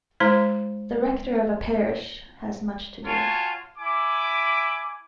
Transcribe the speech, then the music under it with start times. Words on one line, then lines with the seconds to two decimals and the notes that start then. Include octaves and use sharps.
The rector of a parish has much to do.
0.20 G#3 E4 C5 A#5
3.05 F4 F#4 C#5 G#5 A5
3.78 E4 G#5 D6